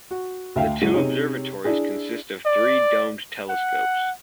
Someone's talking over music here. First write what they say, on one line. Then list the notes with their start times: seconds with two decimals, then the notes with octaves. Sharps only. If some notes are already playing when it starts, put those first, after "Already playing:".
The two observatories consist of three domed telescopes.
0.11 F#4
0.56 D2 E5 F5 G5
0.82 F#1 F#3 G#3 D#7
0.94 C3 D#4 G#4 C#5
1.65 D4 E4 G#4
2.45 D5
3.49 F#5